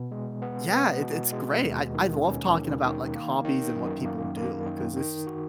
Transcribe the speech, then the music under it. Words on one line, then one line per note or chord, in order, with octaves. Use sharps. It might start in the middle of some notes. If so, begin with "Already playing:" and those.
Yeah, it it's great, I I love talking about, like, hobbies and what people do, 'cause it's
Already playing: B2 B3
G#3
B3
B3
B2
G#3
D#2
D#3
C#4
D#3
D#3
A#3
D#3
F#2
A#3
A#3
D#3
D#3
F#4